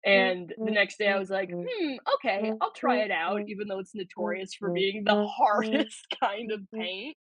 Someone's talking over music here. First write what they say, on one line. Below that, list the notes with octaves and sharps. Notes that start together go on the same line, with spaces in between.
and the next day I was, like, "Hmm, okay, I'll try it out," even though it's notorious for being the hardest kind of paint,
B3
A3
G#3
F3
A3
B3
G#3
G#3
F3
G#3
A3
A3
A3